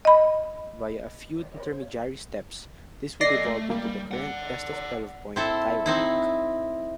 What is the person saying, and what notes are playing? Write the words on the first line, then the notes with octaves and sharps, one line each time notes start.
Via a few intermediary steps this would evolve into the current best-of-twelve-point tie-break.
D#5 B5
A4 D5 D#5 A#6 C7
A3
G3 A#3
D5 F#5
C4 E4 A4
C4 D#4 E4